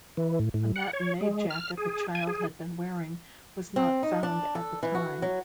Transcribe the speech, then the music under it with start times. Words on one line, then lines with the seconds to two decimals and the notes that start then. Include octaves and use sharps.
A matinee jacket the child had been wearing was not found at the time.
0.17 E3
0.39 A2
0.54 A2
0.76 F#5
0.93 C#5
1.21 G#3
1.50 F6
1.78 G#4
2.15 G#5
2.27 G#4
3.76 C4
4.03 D#4
4.23 D4
4.55 A4
4.83 E3
4.95 F#4
5.22 F#3